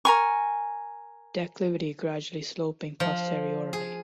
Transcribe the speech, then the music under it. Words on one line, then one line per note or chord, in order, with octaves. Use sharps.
Declivity gradually sloping posteriorly.
A#4 G#5 C#6
F3
G#4